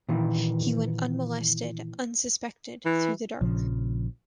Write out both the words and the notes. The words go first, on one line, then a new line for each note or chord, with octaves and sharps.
He went unmolested, unsuspected, through the dark.
A#2 D#3 E3
E3
A#1 C#3 F3